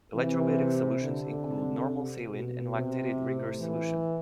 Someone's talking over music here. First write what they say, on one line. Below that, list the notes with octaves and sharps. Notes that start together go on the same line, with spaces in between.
Electrolytic solutions include normal saline and lactated Ringer's solution.
C3 E3
D3
C3
B2
C3
A2
E3